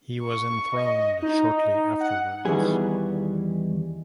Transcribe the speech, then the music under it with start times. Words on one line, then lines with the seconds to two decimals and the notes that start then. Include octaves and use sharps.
He was enthroned shortly afterwards.
0.22 C#6
0.75 D#5
1.22 D#4
2.00 F#5
2.45 E2 D#3 E3 G3 G#4